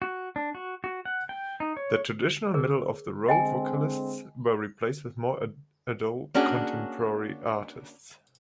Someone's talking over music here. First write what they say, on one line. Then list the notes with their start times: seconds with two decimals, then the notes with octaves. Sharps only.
The traditional middle-of-the-road vocalists were replaced with more adult contemporary artists.
0.02 F#4
0.36 D4
0.55 F#4
0.84 F#4
1.05 F#5
1.29 G5
1.60 D#4
1.77 C#5
2.54 G#4 A#4
3.28 D3 G#3 C4 D#5 G5 G#5
6.34 A#3 C#4 D4 F#4 G#4